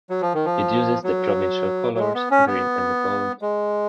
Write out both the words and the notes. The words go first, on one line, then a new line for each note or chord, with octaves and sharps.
It uses the provincial colours, green and gold.
F#3
F3
D#3
F3
F#3
F#3
G#3
B3
C#4
B3
G#3